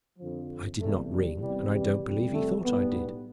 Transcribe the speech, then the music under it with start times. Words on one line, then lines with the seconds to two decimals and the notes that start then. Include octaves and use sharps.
I did not ring, and I don't believe he thought I did.
0.19 F2 D3 F3
0.81 E2 C3 G3 A3
1.11 G3
1.42 E2 C3 E3 G3
1.72 G3
2.02 F2 C3 G3
2.33 A3
2.64 B1 A2 G3 B3